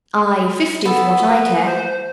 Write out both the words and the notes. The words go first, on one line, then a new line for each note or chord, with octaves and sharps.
Aye, fifty, for what I care.
B3 A4
B4
C5